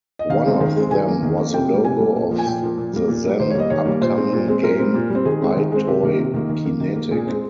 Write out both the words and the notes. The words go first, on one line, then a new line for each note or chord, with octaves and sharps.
One of them was the logo of the then upcoming game, EyeToy Kinetic.
D#5
D#3 F5
G#3 C4
D#3
G#3 C4
D#3 G#5
A#3
D#3
A#3
C3 G5
A#3
G3
C3 G#5
G3 A#3
A#2
F3 A#3
G#5
A#2 G5
F3 A#3
A#2
G3 A#3
A#2
G3 A#3
D#3 C5
C#5
G3 A#3 D#5
D#3 C#5
G3 A#3
A#2 C5
G#3 C4
A#2
G#3 C4
A#2 A#4
G3 C4
A#2
G3 C4
D#3 G#4
G#3 C4
D#3
G#3 C4
C3 G4
D#3 A#3
C3
D#3 A#3
D#3
A#3
D#3
A#3
A#2 G#4
G#3 C4